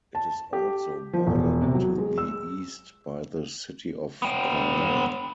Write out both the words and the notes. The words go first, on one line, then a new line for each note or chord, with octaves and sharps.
It is also bordered to the east by the city of Cornell.
A5
G4
F3
E1
C3
F#3
G#3
E6
B3 G5